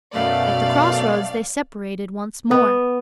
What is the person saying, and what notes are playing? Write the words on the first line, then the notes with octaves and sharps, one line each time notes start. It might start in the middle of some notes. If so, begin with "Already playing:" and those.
At the cross roads they separated once more.
F#2 B2 A3 D5 F5
B3